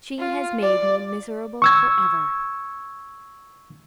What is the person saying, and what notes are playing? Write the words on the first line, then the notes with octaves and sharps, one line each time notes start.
She has made me miserable forever!
F4
D5
C#6 E6 G#6